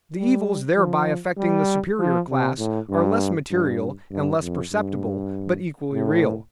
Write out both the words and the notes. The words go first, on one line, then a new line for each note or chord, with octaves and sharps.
The evils thereby affecting the superior class are less material and less perceptible, but equally real.
G3
F3
G3
F3
C3
A2
G2
G2
G2
F2
G2
A2